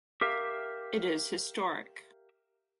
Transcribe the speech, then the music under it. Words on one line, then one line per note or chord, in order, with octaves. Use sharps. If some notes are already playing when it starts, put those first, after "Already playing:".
It is historic.
G4 A#4 E5 F5